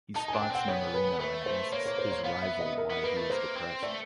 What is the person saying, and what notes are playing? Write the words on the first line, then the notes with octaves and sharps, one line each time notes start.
He spots Nemorino and asks his rival why he is depressed.
D#4 A5
G#5
D4
G5
C4 F#5
B3 C#5
B4
A3 B4
C5
A#3 C#5
C#5
C5
C#5
B3 F5
E5
D#5
A#4
B3
A#3 B4
A3
A#3 C5
C4
A3 D5